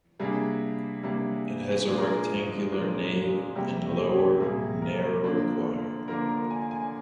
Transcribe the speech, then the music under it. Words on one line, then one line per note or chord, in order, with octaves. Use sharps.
It has a rectangular nave and lower, narrower choir.
C3 G3 A#3 D4 G#4
C3 G3 A#3 D4
A#2 F3 G#3 D4 G#4
A#4
G#4
A#2 F3 G#3 D4
C3 G3 A#3 G4
G4
G4
G#4
G4
C3 G3 A#3 G#4
A#4
D3 F3 A#3 D4
D3 F3 A#3 D4 A#4
A#4
G#5
G#5